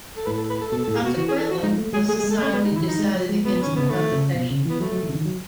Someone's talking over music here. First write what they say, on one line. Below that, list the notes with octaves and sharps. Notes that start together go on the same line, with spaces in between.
Consequently, the society decided against the publication.
A4
A2 B4
A4
B4
A4
B2 A4
A4
A2
G#4
B2 F#4
E3 F#4
G#4
A4
F#4
G#3 D#4
A3
G#3 G#4
A3 G#4
G#4
G#3
A4
A3 C#4
G#3 B3
D#4
D#3
E4
E3
F#3 D#4
G#3
F#3
G#3
G#3 B3
F#3
D#3 C#4
C#3 B3
D#3 A3
C#3
B2
C#3
E3 B3
F#3 A3
F#3
E3
C#3
D#3
F#3